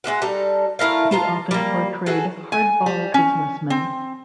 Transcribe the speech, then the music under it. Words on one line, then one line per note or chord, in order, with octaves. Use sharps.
He often portrayed hard-ball businessmen.
G#3 D4 E5 F#5
G3 D#4 A4
A3 E4 A#4 F5
B3 F4 A5 A#5
G3 A#3
F#4 G#4 A4
G#5
G3
C#4
C4